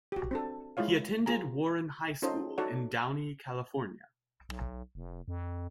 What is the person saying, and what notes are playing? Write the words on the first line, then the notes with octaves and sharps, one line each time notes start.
He attended Warren High School in Downey, California.
F#4 G4
C4 D4 A4
G#3 E4 F4 C#5 F5
F4 G#4 G#5 A#5
C#4 D#4 F4 A4 C5 D#5
D#4 F#4 A4 C#5 D5 F#5
B1
F1
F2